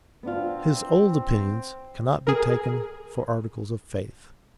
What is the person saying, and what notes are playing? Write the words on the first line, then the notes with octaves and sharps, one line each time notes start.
His old opinions cannot be taken for articles of faith.
B3 C4 D4 F4
G#4 A#4